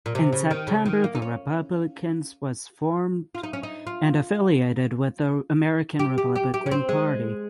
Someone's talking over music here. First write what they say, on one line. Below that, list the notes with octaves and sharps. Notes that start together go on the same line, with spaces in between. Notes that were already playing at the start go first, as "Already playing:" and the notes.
In September the Republicans was formed and affiliated with the American Republican Party.
A#2
C3
C#3
D#3
C#3
D#3
A#3
D#4
C#4
F4
D#4
C#4
D#4
F4
G4
G4
G4
G4
C#4
C4
G#3